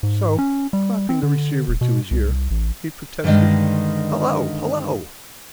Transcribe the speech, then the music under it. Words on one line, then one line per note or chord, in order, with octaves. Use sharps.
So, clapping the receiver to his ear, he protested, "Hello! hello!"
G#2
C#4
G3
C4
D3
D#1
B2
C2
A1
G2 D3 D#3 G#3 D#5